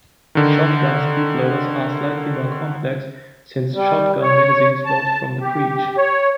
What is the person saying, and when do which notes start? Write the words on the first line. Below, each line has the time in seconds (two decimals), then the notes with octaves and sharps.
Shotgun speedloaders are slightly more complex, since shotgun magazines load from the breech.
0.35 D3 D#3
3.75 G3
4.22 C#5
4.86 A5
5.41 G4
5.97 C#5